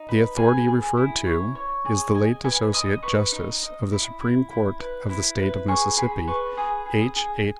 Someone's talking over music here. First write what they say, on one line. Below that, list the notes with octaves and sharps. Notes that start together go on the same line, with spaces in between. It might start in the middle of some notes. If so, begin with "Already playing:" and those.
The authority referred to is the late Associate Justice of the Supreme Court of the State of Mississippi, H.H.
Already playing: D#4
B4
G#4 G#5
G#4
E4
C#5
C#5
G#4
D#5 G#5
B4 G#5
D#5 D#6
B4 C#6
D#4
D#5
E4
E4
E4
B4
E4
B4
G#4 C#6
G#4 B5
B4 C#6
G#4 D#6
G#4
D#6
G#4